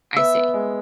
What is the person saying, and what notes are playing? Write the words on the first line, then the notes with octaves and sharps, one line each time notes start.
I see.
B3 E5
B3
G#3